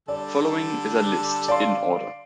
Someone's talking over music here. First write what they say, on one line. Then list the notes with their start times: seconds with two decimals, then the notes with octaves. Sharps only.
Following is a list, in order.
0.08 D3 G3 A4 D5
1.48 D5 F5 C6